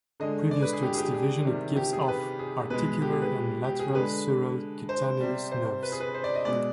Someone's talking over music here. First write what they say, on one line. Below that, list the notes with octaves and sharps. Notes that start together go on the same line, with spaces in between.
Previous to its division it gives off "articular" and "lateral sural cutaneous" nerves.
D3 G#3 D#5
D5
B4
G#4
G4
G#4
G4
G#4
C3 D#3 G3
G4
G#4
B4
G#4
B2 G#3 B4
G#4
G4
G#4
B4
G4
G#4
D3 G#3 B4
C5
C3 G3
C5
B4
G#4
B4
C5
D5
D#5
B2 G#3 D5